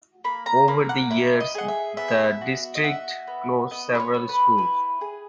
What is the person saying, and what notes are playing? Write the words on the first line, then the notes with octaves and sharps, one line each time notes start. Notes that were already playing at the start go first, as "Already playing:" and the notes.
Over the years, the district closed several schools.
A#3 B5
A#5
A#3 B5
F#5
E4 E5
D#5
G#4 F#5
E5
B3 E5
F#4
D#5
F#4 E5
B3
B3 D#5
B4
C#5
B3
B4
E4 B4
G#4